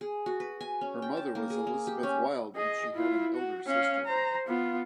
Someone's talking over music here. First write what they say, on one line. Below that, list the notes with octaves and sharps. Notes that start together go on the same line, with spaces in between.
Her mother was Elizabeth Wild and she had an elder sister.
G#4
F#4
B4
G#5
C#4
G5
A5
A#3
G#4
A#3
G4
C#4
G#4 D#5
E4 F4
F#4
C#4 F5
C5 A#5
B3 F4